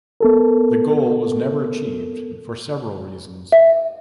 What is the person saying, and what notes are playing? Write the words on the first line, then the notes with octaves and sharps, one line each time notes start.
This goal was never achieved for several reasons.
B3 A4 A#4
E5